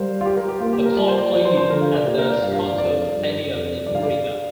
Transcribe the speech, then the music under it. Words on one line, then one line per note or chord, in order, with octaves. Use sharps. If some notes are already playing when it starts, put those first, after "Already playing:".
The club played at the Skonto Stadium in Riga.
Already playing: G3 G4 A#4 C5 F5
F4
G4
A#4
G4
A#3 F4
G4
A#4
G3 D5
C5
D5
F3 D5
C5
C5
D3 A#4
F5
D5
A#2 G4
A#4
D5
G2 F5
F5
D5
F2 D5
G2
F2
G2 D5
F5
D5